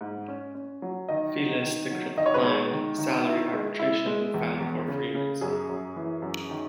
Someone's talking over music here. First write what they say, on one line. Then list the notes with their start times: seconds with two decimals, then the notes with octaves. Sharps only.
Feliz declined salary arbitration and filed for free agency.
0.01 G#2
0.28 C#4
0.55 C#4
0.82 F#3
1.09 D#3 D#5
1.37 F#3
1.63 D#3
1.91 F#3
2.17 D#3 D#5
2.26 C#5
2.34 B4
2.44 G#3 C#5
2.71 D#3
2.98 D#3
3.25 E4
3.53 G#3
3.79 E4
4.06 G#3
4.34 E2
4.60 E2
4.88 C#3
5.15 C#3
5.41 F#2 G#4
5.69 F#2
5.96 E3
6.22 F#2
6.50 D#3